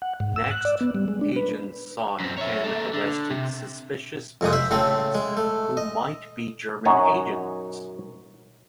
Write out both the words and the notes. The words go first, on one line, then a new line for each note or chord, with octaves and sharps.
Next, agents sought and arrested "suspicious persons" who might be German agents.
F#5
G#2
E6
F#6
D5
B3
G3
G#3
D4
B4
F#2 C4
C#5 E5
A#3 A4
D3
C3
F2 C3 G#3 D#6
C5 E5 B5
A2 C#3 A3 C4
G#3
A3
D#5
F#2 D#4 F#4 C#5 G#5